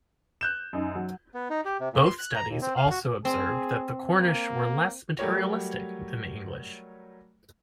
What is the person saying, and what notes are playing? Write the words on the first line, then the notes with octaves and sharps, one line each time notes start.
Both studies also observed that the Cornish were less materialistic than the English.
F#6 G6 E7
F#2 D#4
F#3
B3
D#4
G4
C3
A#2
C6
F#6
A#5
D#2
C4
F5
F#4
C4 G#4
A#3
F#3 G3 A3 G4 A#4 C#5